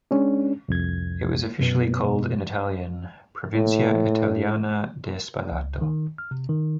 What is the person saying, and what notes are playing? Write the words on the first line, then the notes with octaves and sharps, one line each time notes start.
It was officially called in Italian: "Provincia italiana di Spalato".
G#3 C#4 D4
C2 F2 G#6
F#2 B2 B3
A2
C#2
D#3
F6
C3
D#3